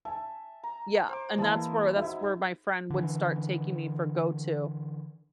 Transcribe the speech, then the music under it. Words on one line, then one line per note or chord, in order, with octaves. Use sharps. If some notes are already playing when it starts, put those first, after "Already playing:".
Yeah, and that's where that's where my friend would start taking me for go-to
E5 G#5 A5
A#5
C5 D6
E3 G#3 A#3 E4 A5
D#4 E4 F#4 E5
D3 E3